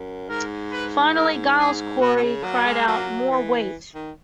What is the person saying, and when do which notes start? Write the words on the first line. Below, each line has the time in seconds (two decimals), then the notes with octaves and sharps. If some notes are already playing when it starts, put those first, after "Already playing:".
Finally, Giles Corey cried out More weight!
Already playing: F#2
0.29 G#2 A#4
0.72 B4
1.15 A#4
1.58 G#4
2.01 B2 F#4
2.16 B2
2.23 C#3
2.44 F#3 A#3
2.66 G#3
2.87 F#3
3.30 E3
3.95 D#3